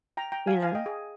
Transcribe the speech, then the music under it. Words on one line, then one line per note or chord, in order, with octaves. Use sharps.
you know?
G5 A#5
G5 A#5
F5 G#5
F5 G#5
D#5 G5
G#4